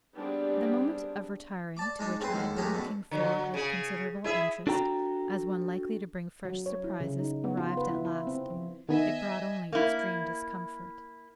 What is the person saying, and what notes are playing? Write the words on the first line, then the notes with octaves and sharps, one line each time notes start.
The moment of retiring, to which I had been looking forward with considerable interest as one likely to bring fresh surprises, arrived at last: it brought only extreme discomfort.
G3 B3 C4 D4 G4 G#4
D5 A5 D6
G#3 D4 D#4
C#3 C4 G#4 B4 C6
D#2 D3 D#3 G#3
G#3 A3 C#4 G4 G#4 A#4
F#2 B2 D3
D3 F#3
C#3 G#4
E4 G#4 E5
D4 F#4 A4 G5 A#5
F#3
C#5
E4
C#3
D#4
B3
F4
B4
E4
E4
C4
F3
D#3 B3 D#5 E5 G#5
A#3 E4